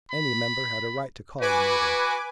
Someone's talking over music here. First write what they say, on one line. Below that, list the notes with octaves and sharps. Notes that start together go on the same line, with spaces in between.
Any member had a right to call a meeting.
B5
F#4 B4 G#5 D6